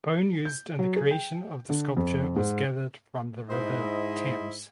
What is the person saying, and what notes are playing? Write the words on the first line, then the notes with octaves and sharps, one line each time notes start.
Bone used in the creation of the sculpture was gathered from the River Thames.
G6
F#3
G#4
G5
D3
F2
G#2
G#2 E4 C5 D#5